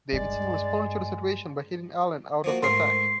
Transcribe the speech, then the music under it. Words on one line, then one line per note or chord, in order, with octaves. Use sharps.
Davidson responded to the situation by hitting Allen out of the attack.
G2 G#3 D5
F3 A#3 F#4
G#2 A3 A#4 C6 C7